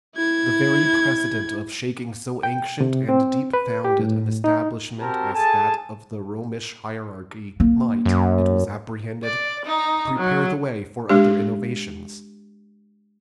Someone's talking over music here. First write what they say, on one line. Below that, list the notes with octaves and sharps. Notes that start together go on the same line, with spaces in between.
The very precedent of shaking so ancient and deep-founded an establishment as that of the Romish hierarchy, might, it was apprehended, prepare the way for other innovations.
E4 G#6
G5
C3
C4
B4
G4
A2
D#4
C4 F#4 G4 A#4 A5 A#5
G#4 A4 G#5 A5
A#3
F#2
D5
D#4
F#3
G#3 D4 G4